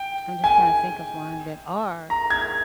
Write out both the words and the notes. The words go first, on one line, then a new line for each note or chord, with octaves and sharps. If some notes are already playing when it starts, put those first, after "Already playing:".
I'm just trying to think of one that are
Already playing: G5
G#5
A#5
G#6